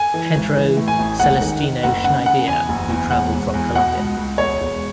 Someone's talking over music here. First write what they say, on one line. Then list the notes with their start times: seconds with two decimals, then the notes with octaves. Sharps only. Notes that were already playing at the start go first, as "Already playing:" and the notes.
Pedro Celestino Schniedier who traveled from Colombia.
Already playing: G#5
0.14 E3
0.35 G#1
0.57 E3
0.77 A2
0.88 G#5
0.99 A1
1.20 E1 F#5
1.41 D#3
1.63 D#3
1.83 F#1 F#5
2.04 C#3 F#5
2.26 C#3 F#5
2.47 E2 G#5
2.69 F#1
2.90 E2
3.11 E1 F#5
3.33 E1
3.54 E2
3.75 B2 F#5
3.97 C#2
4.17 C#2
4.38 E1 C#5
4.61 E1